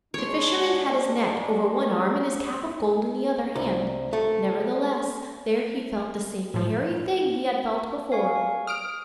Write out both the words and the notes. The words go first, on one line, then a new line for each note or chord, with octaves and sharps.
The fisherman had his net over one arm and his cap of gold in the other hand; nevertheless, there he felt the same hairy thing he had felt before.
G#3 D4 C#5 C6
C2
A3
A2 F3
F5 G#5 C#6
D#6 F6 D7